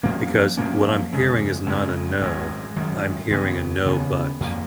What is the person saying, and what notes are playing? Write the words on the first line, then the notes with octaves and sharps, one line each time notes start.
because what I'm hearing is not a no. I'm hearing a no, but.
F#2 F3 A#3 C#4
F#2 F3 A#3 C#4
F2 C#3 G#3
F2 C#3 G#3
G#1 F#2 D#3 G#3
G#1 F#2 D#3 G#3
D#2 C#3 G#3 B3
D#2 C#3 G#3 B3
F2 F3 A#3